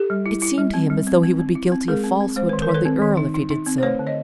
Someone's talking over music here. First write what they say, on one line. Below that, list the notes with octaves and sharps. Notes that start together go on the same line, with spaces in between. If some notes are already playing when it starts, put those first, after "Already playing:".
It seemed to him as though he would be guilty of falsehood towards the earl if he did so.
Already playing: G4 A4
G3
E4
E4
G3
C4
G3
C4
C4
C4
E4
C4
G#3 G#4 A#4
C4
C4
G#3 C5
D#3 B4
A#4
D#3
A4 B4
C4
D#3
D#4
D#4
D#4
C4
C5
A3 B4 C#5
D3
C#5 D#5